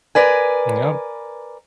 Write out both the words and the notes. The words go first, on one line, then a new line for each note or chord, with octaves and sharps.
And, yep.
A#4 B4 D5 G#5